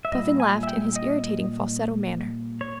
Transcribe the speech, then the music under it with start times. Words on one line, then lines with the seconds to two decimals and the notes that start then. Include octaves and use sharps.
Puffin laughed in his irritating falsetto manner.
0.05 E5
0.12 A#2 G3 D#5
0.40 G#5
0.63 E5
0.68 G5
0.96 D#5
2.61 C#5